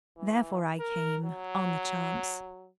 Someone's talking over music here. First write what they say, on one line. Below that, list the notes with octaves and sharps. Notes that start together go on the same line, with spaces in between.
Therefore I came--on the chance.
E3
A#4
F#3